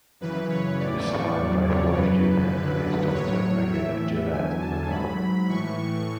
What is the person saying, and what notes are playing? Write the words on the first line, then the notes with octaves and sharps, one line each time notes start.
He was survived by his wife Julia and his daughter Megan Gillette McCarthy.
F#2 C#3 E3 B4
C#5
A2 E3 D5
C#6
E2 C#3 F#3 D5
C#5
F#2 C#3 F#3 B4
F#2 D3 F#3
A2 F#3 C#5
A2 E3 E5
E2 D3 F#3 G#5
A5
G#2 F#3 B5
A2 E3 C#6